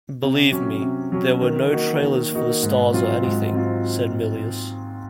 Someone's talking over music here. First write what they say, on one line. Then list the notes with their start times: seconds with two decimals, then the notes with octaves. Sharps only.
"Believe me, there were no trailers for the stars or anything," said Milius.
0.22 C3
0.52 F#3 C#4
0.82 C3
1.12 F#3 C#4
1.41 D#3
1.72 A#3 D#4 F#4
2.02 D#3
2.33 A#3 D#4 F#4
2.63 G#2
2.93 F#3 C4 F4
3.23 G#2
3.52 F#3 C4 F4